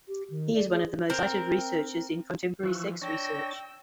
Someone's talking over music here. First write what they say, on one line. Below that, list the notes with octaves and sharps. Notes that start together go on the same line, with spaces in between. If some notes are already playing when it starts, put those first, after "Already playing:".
He is one of the most cited researchers in contemporary sex research.
G4
D#3
D5
G#4
C4 A#4
E3 F3 C#6 E6 F#6
D4 C#5 G5 E6 A#6